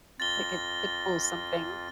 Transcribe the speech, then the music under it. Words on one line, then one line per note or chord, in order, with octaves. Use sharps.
like, it it pulls something
F2 F4 A6 A#6 G7